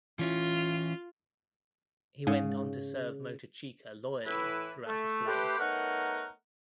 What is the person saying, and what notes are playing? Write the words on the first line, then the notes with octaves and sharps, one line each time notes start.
He went on to serve Motochika loyally throughout his career.
E3 C#4 E4 F4
G#2 C#3
A2 E3 E4 B4
A3
A3 G4 B4 C5
A3 B3 D#4 A#4 C#5 F#5